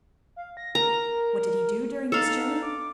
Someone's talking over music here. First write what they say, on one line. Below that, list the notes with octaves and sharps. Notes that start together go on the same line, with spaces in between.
What did he do during this journey?
F5
A#6
A#4 A#5
D#4 A4 F5
D6